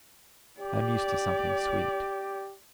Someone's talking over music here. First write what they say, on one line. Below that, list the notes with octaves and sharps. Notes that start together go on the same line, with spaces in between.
I am used to something sweet.
G4 D5